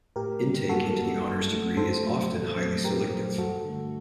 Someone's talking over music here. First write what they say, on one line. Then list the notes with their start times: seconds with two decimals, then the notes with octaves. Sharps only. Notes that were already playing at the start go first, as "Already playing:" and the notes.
Intake into the honours degree is often highly selective.
0.16 A2 G4 A#4
0.43 G3 A#3
0.69 A2 F#4 A4
0.96 G3 A#3
1.23 G2
1.50 F#3 A3
1.77 G2 A4 C5
2.04 F#3 A3
2.30 A#2
2.57 F#3 A3
2.84 A#2 G4 A#4
3.12 F#3 A3
3.38 G2 F#4 A4
3.65 D3 A3